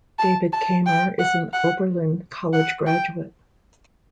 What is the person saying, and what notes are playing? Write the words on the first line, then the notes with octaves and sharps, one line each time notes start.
David Kaemmer is an Oberlin College graduate.
A5
A5
G5
F#5
F#5
F#5
G5